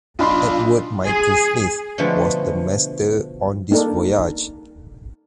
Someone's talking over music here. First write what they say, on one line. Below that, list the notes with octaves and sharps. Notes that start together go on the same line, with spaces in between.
Edward Michael Smith was the master on this voyage.
B1 D4 F4 B5 C6
G#4
B2 D3 F3 G#3 A3 B3
A#3 D4 D#4 A4 A#4